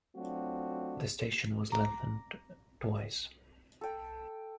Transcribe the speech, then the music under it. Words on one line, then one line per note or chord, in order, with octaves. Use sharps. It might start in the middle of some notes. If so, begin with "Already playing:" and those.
The station was lengthened twice.
F#3 A3 C4 D4 F4 F#4
A#5 D6
A4 G5